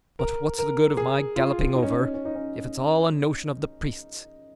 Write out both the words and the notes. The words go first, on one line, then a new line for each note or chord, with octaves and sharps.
But what's the good of my galloping over, if it's all a notion of the priest's?
A#4
A#4
G#4
F4
D#4
C#4
D#4
C#4
D#4
C#4